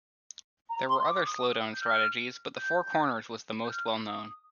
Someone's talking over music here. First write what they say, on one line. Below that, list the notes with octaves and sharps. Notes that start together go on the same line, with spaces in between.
There were other slowdown strategies, but the four corners was the most well known.
A#5
C6
D6
D#6
G6
F6
G6
G6
F6
D#6